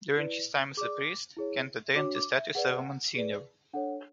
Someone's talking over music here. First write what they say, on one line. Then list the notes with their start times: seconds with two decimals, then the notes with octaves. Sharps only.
During his time as a priest Kent attained the status of a monsignor.
0.18 E4 B4 D5
0.77 G#4 D5 D6
1.37 E4 G#4 C#5
1.95 D4 F#4 C#5 D6
2.15 D6
2.35 E5
2.55 G#4 B4 D5 F#5
3.14 G#4 B4 D5
3.73 D4 A4 C#5 F#5